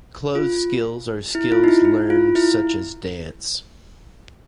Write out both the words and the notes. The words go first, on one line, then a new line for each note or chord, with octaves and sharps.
Closed skills are skills learned such as dance.
F4
E4
F4
D#4
E4
E4
F4
E4